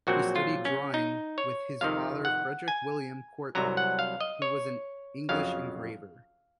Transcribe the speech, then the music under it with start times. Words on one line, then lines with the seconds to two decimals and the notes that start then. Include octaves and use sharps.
He studied drawing with his father Frederick William Quartley, who was an English engraver.
0.07 A#1 A#2 F#3 C4 F#4
0.36 F4
0.65 C#4
0.94 D#4
1.38 C#5
1.81 F2 C3 D#3 F5
2.25 F#5
2.68 G#5
3.55 C2 C3 F#3 A#5
3.77 F#5
3.99 F5
4.21 D#5
4.42 C#5
5.29 F2 C#3 F#3 F5